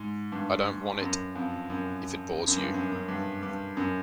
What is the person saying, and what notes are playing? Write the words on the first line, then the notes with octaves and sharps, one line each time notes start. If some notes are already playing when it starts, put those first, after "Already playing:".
I don't want to if it bores you.
Already playing: G#2
G2
F#2
F2
F#2
F#2
G2
F#2
F#2
G2
G2
F#2